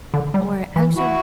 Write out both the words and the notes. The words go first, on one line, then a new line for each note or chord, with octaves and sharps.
or actually
D3
G3
E3
E4 F#4